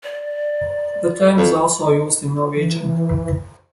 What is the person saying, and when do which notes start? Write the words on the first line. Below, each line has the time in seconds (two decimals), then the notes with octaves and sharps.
The term is also used in Norwegian.
0.04 D5
1.37 F2
2.57 E3